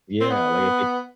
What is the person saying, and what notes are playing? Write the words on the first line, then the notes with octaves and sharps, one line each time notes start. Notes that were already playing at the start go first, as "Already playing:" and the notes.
Yeah, like, if they
C4
B3